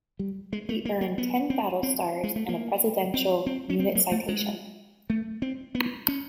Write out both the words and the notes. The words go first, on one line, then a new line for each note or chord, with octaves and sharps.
He earned ten battle stars and a Presidential Unit Citation.
G3
G#3
A3
A#3
A#3
B3
C4
C4
G#3
A3
A#3
C4
C4
C#4
C4
A#3
A3
G#3
A3
C4
B3
C#4